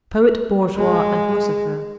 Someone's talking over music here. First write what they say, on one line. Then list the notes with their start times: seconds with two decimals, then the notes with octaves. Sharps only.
Poet, Bourgeois, and Philosopher.
0.76 G#3